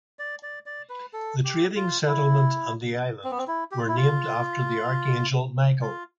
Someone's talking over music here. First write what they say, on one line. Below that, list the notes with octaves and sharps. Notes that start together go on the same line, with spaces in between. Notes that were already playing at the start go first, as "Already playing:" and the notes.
The trading settlement and the island were named after the archangel Michael.
D5
D5
D5
B4
A4
G4
F4
E4
C4
B3
C4
E4
G4
F4
E4
F4
F4